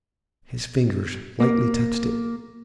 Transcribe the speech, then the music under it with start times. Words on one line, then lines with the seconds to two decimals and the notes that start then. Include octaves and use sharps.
His fingers lightly touched it.
1.40 A#3